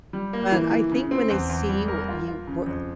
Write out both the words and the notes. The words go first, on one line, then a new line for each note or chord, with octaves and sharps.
But I think when they see what you we
G3
A#3
E3
E3
C#3
C4
E2
E2
G3
A#4
F4
F4
C#3
F2